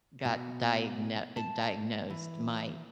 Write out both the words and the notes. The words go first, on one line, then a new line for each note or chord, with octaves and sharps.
got diagno diagnosed, my
B2
A5
E3